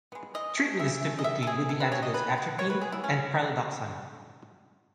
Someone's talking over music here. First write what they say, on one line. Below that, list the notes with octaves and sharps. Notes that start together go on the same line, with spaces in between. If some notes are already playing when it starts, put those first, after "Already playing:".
Treatment is typically with the antidotes, atropine and pralidoxime.
G#3 B3
E3 D#5
A3 C#4
E3 E5
A3 C#4
D#5
D#3 E5
A4
A3 C#4 G#4
D#3 A4
B4
A3 C#4 C#5
D#5
D#3 B4
F#3 B3
D#3 C#5
B4
F#3 B3 G#4
E4
C#3 C#4